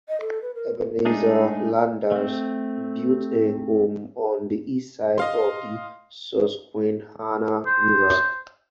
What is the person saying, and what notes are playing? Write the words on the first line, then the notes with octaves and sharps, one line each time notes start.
Ebenezer Landers built a home on the east side of the Susquehanna River.
D#5
A4
B4
A#4
G#3 A3 D4 D#4 G#4
A3 C4
D#5 F5 C6
C5